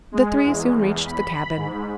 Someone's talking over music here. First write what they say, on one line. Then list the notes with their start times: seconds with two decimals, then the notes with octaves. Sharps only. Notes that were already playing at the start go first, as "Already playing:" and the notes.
The three soon reached the cabin.
0.12 G#3
0.43 E2
1.05 B5
1.56 G#2